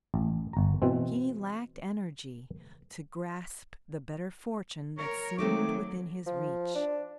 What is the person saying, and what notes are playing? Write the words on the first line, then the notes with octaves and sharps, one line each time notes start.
He lacked energy to grasp the better fortune that seemed within his reach.
A1
G1 A#5
B2 E3 C4
A#4 C#5
D#3 F#3 A3 C4 D6
F3
D4